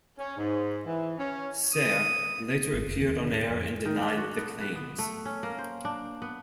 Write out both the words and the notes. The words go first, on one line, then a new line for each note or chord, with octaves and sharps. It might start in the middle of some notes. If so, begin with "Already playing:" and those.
Sayer later appeared on air and denied the claims.
C#4
G#2
E3
C#4
D#6
G#1
F1
D#2
D3
A2
F2
D#3
D4
F#4
B3
B4
B3
A3
C#4
A#3
C5
D4
B3